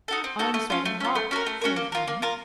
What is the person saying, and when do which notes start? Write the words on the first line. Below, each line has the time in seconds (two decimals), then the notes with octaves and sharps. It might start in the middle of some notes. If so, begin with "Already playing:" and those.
"I'm sweating hot," says one.
0.08 D#4 F#4 A4
0.24 C4
0.39 D#4 F#4 A4
0.54 A3
0.70 C#4 F4
0.85 A3
1.00 C#4 F4
1.15 A3
1.31 C#4 F#4 A#4
1.46 A3
1.61 C#4 F#4 A#4
1.76 A#3
1.92 F4 A#4
2.08 A#3
2.22 F4 A#4